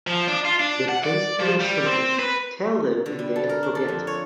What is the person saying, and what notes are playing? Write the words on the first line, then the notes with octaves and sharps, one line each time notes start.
The principle is simple: Tell them and they'll forget.
F3
D4
F4
D4
F#5
D5
F3
G3
C4
B4
D3
G3
A4
A#4
D4
A4
F2
C#5